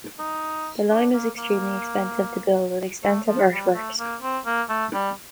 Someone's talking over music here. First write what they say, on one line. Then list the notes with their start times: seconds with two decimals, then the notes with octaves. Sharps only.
The line was extremely expensive to build with extensive earthworks.
0.19 D#4
0.90 D4
1.13 A#3
1.37 A#3
3.03 A3
3.27 F3
3.51 G3
3.74 A3
3.99 A#3
4.22 C4
4.46 A#3
4.69 A3
4.94 G3